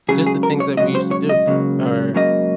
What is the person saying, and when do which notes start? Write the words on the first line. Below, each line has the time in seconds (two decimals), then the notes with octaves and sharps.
just the things that we used to do, or,
0.09 C#2 C#3 F#3 G#4
0.26 G#4
0.43 A#4
0.60 C#5
0.77 C#2 C#3 F#3 D#5
0.95 C5
1.11 C#5
1.29 D#5
1.46 C#2 C#3 F#3 A#3
2.14 C#2 C#3 F#3 A#3 D#5